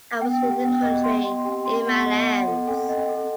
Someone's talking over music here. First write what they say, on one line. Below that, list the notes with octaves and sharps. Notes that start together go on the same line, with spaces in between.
I was in the country, in my lands...
B3 G5
G4
B3 G5
D#5
C6
C6
C4 G4
C6
B3 F#5
D#5
F#5
A4
C4 A4
D#5
A4